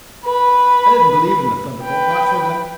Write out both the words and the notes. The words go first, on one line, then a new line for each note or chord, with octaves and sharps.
I didn't believe in the thunderbolt, not for a minute.
B4
B4 G5